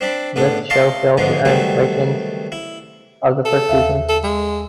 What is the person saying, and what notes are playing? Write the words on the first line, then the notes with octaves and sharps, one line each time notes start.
This show failed to earn the ratings of the first season.
C4 D4 D5 B5
A2 B3 D4 A4
D5 D#5 F5 A5 C6 C#6
G#2 D3 F3 G#3 B3
D#3 F#3 G3 A3 B3 C4
E4
A4
D#2 E5 F5
A4
G#3